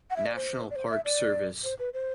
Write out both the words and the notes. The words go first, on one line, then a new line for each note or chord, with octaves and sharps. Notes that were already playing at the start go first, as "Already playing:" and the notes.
National Park Service.
F#5
E5
D5
C5
D5
C5
E5
D5
C5
B4
C5